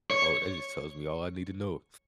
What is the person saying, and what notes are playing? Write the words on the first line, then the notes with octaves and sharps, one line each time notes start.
Oh, that just tells me all I need to know.
C#5